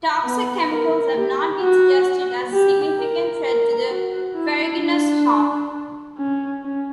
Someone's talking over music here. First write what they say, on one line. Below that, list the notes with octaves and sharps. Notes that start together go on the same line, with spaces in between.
Toxic chemicals have not been suggested as a significant threat to the ferruginous hawk.
B3
A#4
G4
F#4
G4
A#4
A#4
F#4
E4
D4
C#4
C#4